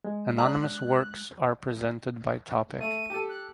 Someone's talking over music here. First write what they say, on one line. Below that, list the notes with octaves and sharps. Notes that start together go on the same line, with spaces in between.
Anonymous works are presented by topic.
G#3
D4 A#5 F#6
A3 D#7
G4 A4
F#6